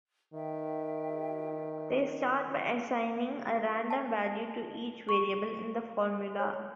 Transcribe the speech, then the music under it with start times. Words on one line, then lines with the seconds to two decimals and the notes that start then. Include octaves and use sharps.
They start by assigning a random value to each variable in the formula.
0.34 D#3 B4 E5 G5
3.90 A5
5.09 C#6
6.39 C#5